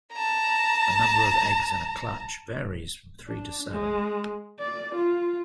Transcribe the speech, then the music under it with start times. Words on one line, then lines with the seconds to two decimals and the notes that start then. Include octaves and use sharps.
The number of eggs in a clutch varies from three to seven.
0.13 A5 A#5
3.27 D4
3.69 G#3
4.59 D5
4.94 F4